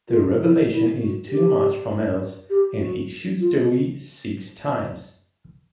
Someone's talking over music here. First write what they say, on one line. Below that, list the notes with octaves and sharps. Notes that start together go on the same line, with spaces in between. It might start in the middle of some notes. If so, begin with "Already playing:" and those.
The revelation is too much for Mills and he shoots Doe six times.
F4
E4
E4
F#4
G4
G4
F#4
F4